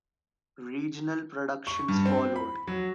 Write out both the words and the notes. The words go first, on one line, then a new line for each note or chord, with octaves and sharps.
Regional productions followed.
C#6
G2
C4
B5
F#3